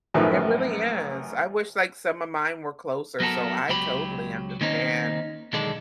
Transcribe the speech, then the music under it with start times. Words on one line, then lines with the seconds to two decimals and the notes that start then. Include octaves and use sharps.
it really is. I wish, like, some of mine were closer, so I totally understand.
0.14 A1 F#2 A2 D#3 F3 B4
3.20 F#3 B3 F#4 A4 A#4
3.69 C#2 F#3 G4 B5
4.61 D#3 A#3 C4 C#4 D#4
5.53 B1 D3 D#3 G#3 A4 D5